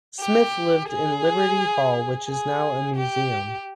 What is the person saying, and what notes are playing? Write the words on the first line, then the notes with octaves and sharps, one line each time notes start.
Smith lived in Liberty Hall which is now a museum.
G4
G#4
G#4
G4